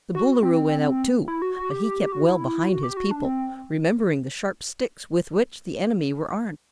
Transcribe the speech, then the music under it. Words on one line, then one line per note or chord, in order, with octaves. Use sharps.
The Boolooroo went out, too, but he kept well behind his people, remembering the sharp sticks with which the enemy were armed.
F#4
C4
E4
F#4
F#4
G4
F#4
E4
F#4
G4
F#4
D4
C4